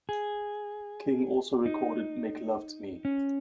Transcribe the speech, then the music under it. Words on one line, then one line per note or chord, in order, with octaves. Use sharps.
King also recorded "Make Love to Me".
G#4
D#4
C#4